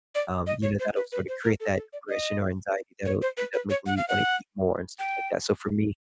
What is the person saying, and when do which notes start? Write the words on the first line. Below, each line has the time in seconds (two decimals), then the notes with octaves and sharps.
um, you know, that'll sorta create that depression or anxiety that'll end up making you wanna eat more and stuff like that. So, for me,
0.15 D5
0.47 D#5
0.63 C#5
0.80 C5
0.96 B4
1.12 B4
1.28 C5
1.44 A#4
1.60 A4
1.76 A4
1.93 D5
2.08 D#5
3.05 C#5
3.22 C5
3.37 B4
3.53 B4
3.70 C#5
3.86 F#5
3.97 F5
4.08 F#5
4.99 G5